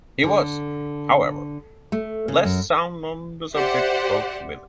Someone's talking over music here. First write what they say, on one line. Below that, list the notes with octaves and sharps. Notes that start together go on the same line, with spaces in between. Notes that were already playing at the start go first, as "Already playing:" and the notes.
He was, however, less sound on the subject of women.
D3
A3
C#3
F#2
G4 C5 D5 E5 F#5